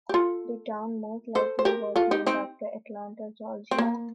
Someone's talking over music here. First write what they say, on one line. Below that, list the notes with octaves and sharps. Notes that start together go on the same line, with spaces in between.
The town most likely was named after Atlanta, Georgia.
G4
F4 A4
A4 C5
C5
G4 A#4
F4 A4
D#4 G4
C4 D#4
C4
A#3